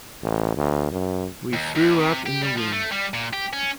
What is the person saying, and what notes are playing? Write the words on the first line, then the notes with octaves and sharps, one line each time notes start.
We threw up in the wind.
A1
D2
F#2
D#2
D#2
C3
G4
G3
F3
A3
G3
A#2
G4
C#4